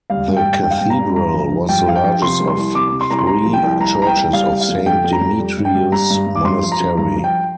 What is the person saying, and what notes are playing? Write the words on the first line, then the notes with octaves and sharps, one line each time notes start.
The cathedral was the largest of three churches of Saint Demetrius Monastery.
G3 F5
G2
G5
G2
G2 G5
F5
G5
G2
A#5
G3
G2 A#5
F3
F3
G2 G5
F3 F5
G5
F3
C3 C6
G3
C6
C2
C3 D6
C3
C6
C2 A#5
C6
C2 A#5
F3
G5
C2
C2 A#5
C2 A#5
G5
C2
G3 F5
G3
F5
F2
F2 G5
F2
A#5
F2
G3
G2
G5
G2
G3 A#5
G2
G2
D6
G2 C6
F3
A#5
F3
G2 A#5
F3
G5